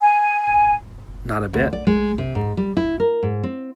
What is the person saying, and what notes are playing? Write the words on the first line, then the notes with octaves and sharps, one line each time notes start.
Not a bit.
G#5
D2
D5
G#3
C3
G#2
G3
E4
A#4
G#2
C4